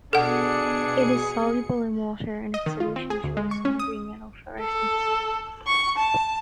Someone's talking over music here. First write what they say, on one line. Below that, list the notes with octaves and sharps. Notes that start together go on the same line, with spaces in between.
It is soluble in water and its solution shows some green-yellow fluorescence.
B2 D4 G#4 A4 F#5 C#7
D#5
D#3
F4
C4
G#4
D2
G#3
C#6
C#4
D#6
A4
C#6
A5